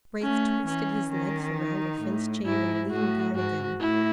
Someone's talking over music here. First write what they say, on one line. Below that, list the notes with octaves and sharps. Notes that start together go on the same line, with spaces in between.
Braith twisted his legs around a fence-chain and leaned down again.
A3 C#4
E3 C#4
D#3 C#4
D#4
A2
G#2 E4
A2 F#4
G#2 F#4
A2 E4